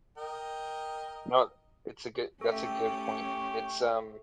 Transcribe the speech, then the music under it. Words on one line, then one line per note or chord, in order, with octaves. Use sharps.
No. It's a good that's a good point. It's, um,
A#4 D#5 G5
A3 C#4 G4 A4 E5 G5 C#6